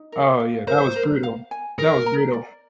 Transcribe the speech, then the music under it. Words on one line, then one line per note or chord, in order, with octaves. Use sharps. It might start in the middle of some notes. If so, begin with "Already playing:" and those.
Oh, yeah, that was brutal. That was brutal.
Already playing: D#4
A#4
F5
A#4 C5
A#4
F5
G#5
G#4 A#4
A#5
D5